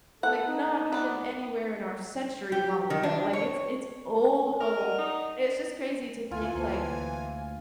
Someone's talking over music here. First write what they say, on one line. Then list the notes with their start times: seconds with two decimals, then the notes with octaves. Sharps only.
like, not even anywhere in our century long ago. Like, it's it's old old. It's just crazy to think, like,
0.23 A4 F#5
0.47 D#4
0.92 B3 D5
2.52 G4
2.90 D#3
3.03 D4
3.33 C#5
4.60 A#4
4.75 D5 D#5 F#5
4.98 D#4
6.31 D2 E3 F4 G#5
6.56 D2 A#3 C5 A5